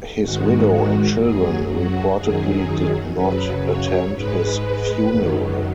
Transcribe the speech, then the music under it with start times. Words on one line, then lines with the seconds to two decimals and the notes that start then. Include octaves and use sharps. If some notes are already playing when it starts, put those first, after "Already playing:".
His widow and children reportedly did not attend his funeral.
0.22 G#2 D#3 G#3 F#4
0.71 F#4
1.19 F#2 F#3 G#4
1.68 F#4
2.17 F#2 D#3 F#3 G#4
3.15 F#2 C#3 F#3 B4
3.63 C#5
4.13 G#2 G#3 B4
5.10 F#2 D#3 F#3